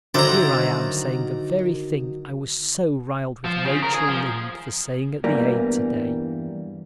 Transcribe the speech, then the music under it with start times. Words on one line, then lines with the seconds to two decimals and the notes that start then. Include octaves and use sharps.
Here I am saying the very thing I was so riled with Rachel Lynde for saying at the Aid today.
0.14 D3 D#3 F#3 E4 C5 D5 A#5
3.45 F3
3.65 C#3
3.83 A#4
3.95 G#4
4.08 F3
5.24 E2 G2 E3 G3 A#3